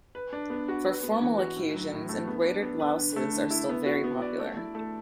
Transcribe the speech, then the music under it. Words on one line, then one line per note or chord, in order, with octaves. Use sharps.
For formal occasions, embroidered blouses are still very popular.
B4
D4
B3
F#4
B4
B3
E3
F#4
A2
F#3
A2
A3
B3
D4
B3
B4
D3
A3
D3
E4
B3
F#4
B3
D5
A3
E4
A3